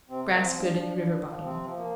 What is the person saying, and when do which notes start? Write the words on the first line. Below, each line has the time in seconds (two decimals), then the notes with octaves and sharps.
Grass good in the river bottom.
0.09 C3 C4
0.26 A#3
0.31 F3
0.42 C4
0.54 F3
0.60 D4
0.76 F3 D4
0.98 F3
1.21 F3
1.42 C3 C4
1.64 F3
1.76 A#3